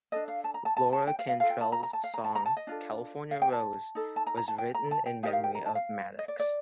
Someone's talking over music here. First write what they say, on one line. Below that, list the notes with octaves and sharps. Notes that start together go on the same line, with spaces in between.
Laura Cantrell's song "California Rose" was written in memory of Maddox.
D4 A4 D#5
F5
A5
A#5
A5
A5
A5
G5
F5
F5
F4 A4 F5
G5
A5
A#5
A#5
A5
F5
A#5
A5
A#5
A5
D#5
D4 F4 A4
F5
G5
A5
D#4 A4
A5
A#5
A#5
A5
G5
A#5
A5
G5
D#4 G4 A#4 D#5 F5
F5
G5
A#5
A5
F5
D#5
D5
D5